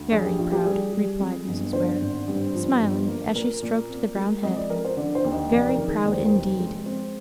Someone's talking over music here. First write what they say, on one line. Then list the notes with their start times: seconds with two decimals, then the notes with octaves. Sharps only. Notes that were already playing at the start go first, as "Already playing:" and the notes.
"Very proud," replied Mrs. Ware, smiling as she stroked the brown head,--"very proud, indeed."
Already playing: D2
0.11 A#1 G#4
0.25 G4
0.38 A#1 F4
0.52 G4
0.65 G3 G#4
0.93 G3
1.20 F2
1.47 G1
1.73 D3 C5
2.01 G#1
2.28 G2
2.55 F3
2.81 G1
3.08 A#3
3.35 A#2 A#4
3.62 A#2
3.89 C4
4.16 G#3
4.43 F2 D#5
4.56 D5
4.70 F2 A#4
4.85 C5
4.97 D3 D5
5.15 C5
5.25 D#2
5.33 D#5
5.52 F1 D5
5.69 A#4
5.78 D#3
5.88 G#4
6.05 D#2 D5
6.12 C5
6.19 A#4
6.26 C5
6.32 F1
6.60 G#3
6.86 C4